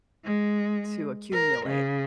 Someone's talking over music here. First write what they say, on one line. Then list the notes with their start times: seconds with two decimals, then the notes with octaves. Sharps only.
To accumulate.
0.24 G#3
1.32 A#4
1.66 C#3